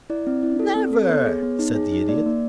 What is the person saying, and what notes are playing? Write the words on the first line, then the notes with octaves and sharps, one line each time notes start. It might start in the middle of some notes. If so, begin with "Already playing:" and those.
"Never," said the Idiot.
E4 D5
C4
E4
A4
C4
A4
B3 C#5
G#4
B3
D#4
G#4
D#4
A#3 D5
A#3